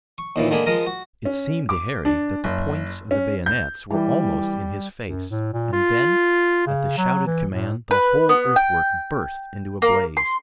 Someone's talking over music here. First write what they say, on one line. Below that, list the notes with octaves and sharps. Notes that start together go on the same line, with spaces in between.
It seemed to Harry that the points of the bayonets were almost in his face, and then, at the shouted command, the whole earthwork burst into a blaze.
C#6
D#2 A#2 E3
D3 G#3 A#3 G#4 B5
F3 G#3 A#4 D#5
F#4
C#4
D6
D4
F#1
C#4
G6
E3 G3
F#2
A2
A#2
F4
C#3
F#3
E3
A2
B4
B3
G5
A#3
C6